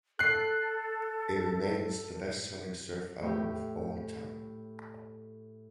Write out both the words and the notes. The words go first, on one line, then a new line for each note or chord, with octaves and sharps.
It remains the best selling surf album of all time.
A4 F#6 C7
A2 G4